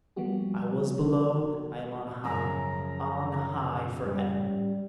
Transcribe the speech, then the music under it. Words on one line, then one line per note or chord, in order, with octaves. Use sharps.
I was below, I am on high--on high for ever!
F3 G3 A#3 B3 F#4 G4
F#2 C#3 F3 A#5
G3